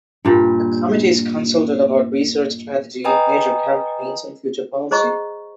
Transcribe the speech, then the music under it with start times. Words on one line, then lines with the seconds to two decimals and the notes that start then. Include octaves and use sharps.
The committee is consulted about research, strategy, major campaigns and future policy.
0.25 G2 A#2 G4 B4
3.04 B4 D#5 G5 G#5 A#5 D#6
4.91 G#4 C5 D#5 A#5 C#6